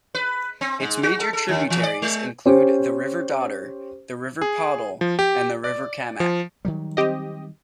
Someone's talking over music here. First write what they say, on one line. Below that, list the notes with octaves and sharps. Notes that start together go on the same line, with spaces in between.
Its major tributaries include the River Dodder, the River Poddle and the River Camac.
B4
C4
G#2
F#4
A4
A4
D#2
E3
D5
G#3
C#4 G4 C5
G#4
F3
G4
D5
F3
D#3 F#3 G3
C4 G4 D#5